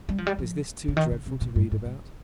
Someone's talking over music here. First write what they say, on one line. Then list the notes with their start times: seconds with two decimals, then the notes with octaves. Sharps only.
Is this too dreadful to read about?
0.09 G3
0.18 F3
0.27 G3
0.39 F3
0.88 C#3
0.97 D#3
1.11 C#3
1.26 C3
1.41 A#2
1.56 G2
1.72 G#2
1.85 G#2